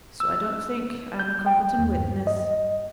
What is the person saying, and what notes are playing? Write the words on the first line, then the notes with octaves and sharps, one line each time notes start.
So I don't think I'm a competent witness.
E6
G6
G5
D#2
G2
D#5